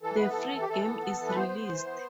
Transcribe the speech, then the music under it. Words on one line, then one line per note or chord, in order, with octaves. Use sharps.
The free game is released.
E3 A4
B3 B4
A4
E3
E3
G4
E3 A4
B3
B3
E3
B4
B3 C5
E3
E3
B3